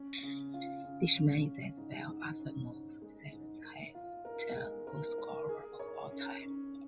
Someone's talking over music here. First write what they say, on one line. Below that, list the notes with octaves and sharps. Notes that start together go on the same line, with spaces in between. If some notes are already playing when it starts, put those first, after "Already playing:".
Lishman is as well Arsenal's seventh highest goalscorer of all time.
Already playing: C#4
C#3
F4
C#3
C#4
C#3
G#2
G#2
C#4
G#2
G#3
G#2
D#3
F4
A#4
G#3
A#4
A#4
G#4
C#5
C#4
C#4